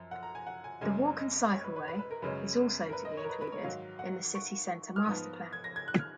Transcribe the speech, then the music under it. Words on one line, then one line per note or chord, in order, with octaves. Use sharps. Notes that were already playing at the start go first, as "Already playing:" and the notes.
The walk- and cycleway is also to be included in the city centre masterplan.
Already playing: F#2 F3
F#5
A#5
G#5
F#5
G#5
F#2 C#3 G#3 G#5
D#5
C#5
B4
B4
B4
B4
A#4
F#2 C#3 G#3 C#4 B4
A#4
B4
D#5
C#5
A#4
B4
B4
C#5
G#2 D#3 F#3 F5
F#5
C#6
F6
G#2 F3 B3 D#6
G#6
A#6
G#6
F#6
F6